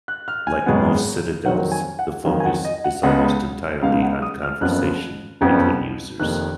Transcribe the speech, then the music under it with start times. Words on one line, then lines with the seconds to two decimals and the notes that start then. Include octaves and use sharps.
Like most Citadels, the focus is almost entirely on conversation between users.
0.08 F#6
0.28 F6
0.47 G#5
0.66 G#1 F#2 C#3 G#3 B3
1.45 F2 D#3 F#3 F#5
1.72 G#5
1.99 F#5
2.25 F2 D#3 F#3 F5
2.40 G#5
2.45 F#5
2.65 D#5
2.84 F#5
3.03 C#2 C#3 G#3 B3 F#5
3.82 C#2 C#3 G#3 B3 F5
4.02 F#5
4.22 D#6
4.42 F6
4.61 F#1 F2 C#3 F3 B3 F#6
5.41 F#1 F2 C#3 F3 B3
6.19 F1 F2 D#3 A#3 F#6